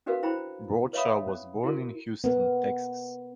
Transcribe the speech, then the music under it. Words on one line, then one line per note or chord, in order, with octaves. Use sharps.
Bradshaw was born in Houston, Texas.
C#4 D4 F#4 A#4 B4 F5
E4 C5 G5 A#5 B5
B4 C#5 E5 F5 B5 D#6
C#4
E4 F#4 A#4
B3 A#4